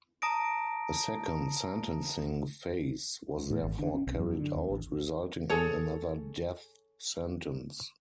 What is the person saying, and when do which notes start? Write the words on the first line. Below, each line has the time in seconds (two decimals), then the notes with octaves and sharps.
A second sentencing phase was therefore carried out, resulting in another death sentence.
0.22 A5 A#5 D#6 A#6 D7
3.51 A2
3.63 G#1
3.79 D3
3.94 C#4
4.07 B1
4.20 F#2
4.36 D3
4.55 D#2
4.70 A1
5.50 G#4 A4 C#5